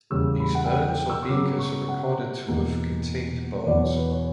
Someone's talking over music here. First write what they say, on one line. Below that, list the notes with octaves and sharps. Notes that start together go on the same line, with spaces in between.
These urns or beakers are recorded to have contained bones.
E2 C#3 G3 E6
B5
F#5
G5
F#5
G5
E6
E6
C#3 F#3 B3 D6
C#6
F#5
E2 B2 A#3
C#5
E2 B2 F#3 B3 D5
C#5
B4
C#5